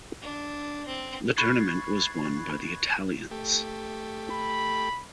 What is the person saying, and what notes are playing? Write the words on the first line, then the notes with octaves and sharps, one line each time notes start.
The tournament was won by the Italians.
D4
C4
B5 C#6 F#6 G#6 A6 C7
A3 G4
B5